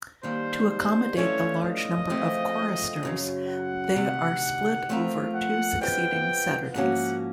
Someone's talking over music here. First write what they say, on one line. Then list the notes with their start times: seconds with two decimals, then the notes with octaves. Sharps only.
To accommodate the large number of choristers, they are split over two succeeding Saturdays.
0.23 D#2 D#3 G3 C5
0.70 C5
1.17 G2 E3 A3 C#4 F4 C#5
1.64 D#5
2.10 F2 C#3 F3 A3 C4
3.03 F#2 C#3 F#3
3.49 F#5
3.96 D2 C3 D#3
4.89 F3 A3 C4 F4 A#4
5.35 F#5
5.81 F2 C#3 F3 G#3 B3 G5
6.74 G#2 F3 A#3 C#4 F#4 F#5